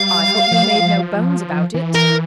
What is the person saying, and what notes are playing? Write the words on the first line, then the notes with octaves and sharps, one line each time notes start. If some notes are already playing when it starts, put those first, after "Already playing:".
"I hope you made no bones about it."
Already playing: G3 F5
F3
G3
F3
E3
A#4